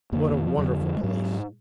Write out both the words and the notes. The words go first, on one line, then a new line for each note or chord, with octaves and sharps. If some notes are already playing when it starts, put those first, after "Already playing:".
What a wonderful Police!
F2 D3 A#3
D#3
F3
F2 D3 F#3
F3
G#3
G#2 F#3